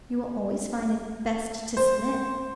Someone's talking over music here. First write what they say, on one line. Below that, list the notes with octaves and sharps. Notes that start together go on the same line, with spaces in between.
You will always find it best to submit.'
C5